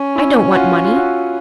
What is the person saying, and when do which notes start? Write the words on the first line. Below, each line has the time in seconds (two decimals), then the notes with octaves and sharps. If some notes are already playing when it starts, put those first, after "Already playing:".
I don't want money.
Already playing: C#4
0.16 E4
0.52 F#4
0.55 F4
0.85 F4
0.96 F#4